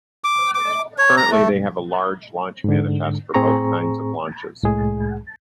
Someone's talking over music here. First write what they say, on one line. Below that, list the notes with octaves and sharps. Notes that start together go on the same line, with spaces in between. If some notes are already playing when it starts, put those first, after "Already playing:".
Currently, they have a large launch manifest for both kinds of launches.
D6
D6
C#5
A#5
A3
G#2 D3
A2 C4 G#4 A#5 C#6
C2 A2 G#3 G#4